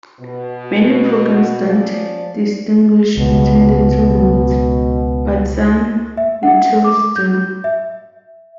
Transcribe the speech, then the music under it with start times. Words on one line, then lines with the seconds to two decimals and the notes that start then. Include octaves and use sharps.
Many programs don't distinguish between the two modes, but some utils do.
0.20 B2
1.64 F3 C#4 D5
3.17 C#2 B2
6.17 E5
6.43 F#5
6.84 D6
7.16 G6
7.64 E5